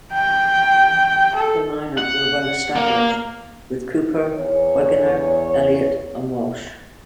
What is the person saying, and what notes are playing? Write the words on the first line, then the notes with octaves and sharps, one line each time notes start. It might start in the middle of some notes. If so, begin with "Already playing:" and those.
The line-up were "well-established" with Kuepper, Wegener, Elliot, and Walsh.
G5
A4
F#5
A#3
E2 C#5